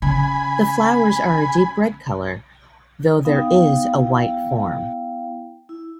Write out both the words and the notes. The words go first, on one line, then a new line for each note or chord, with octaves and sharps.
The flowers are a deep red colour, though there is a white form.
C#3 G#5 B5
B3 D#4 F5 G5
B3 E4 F5 G5
E4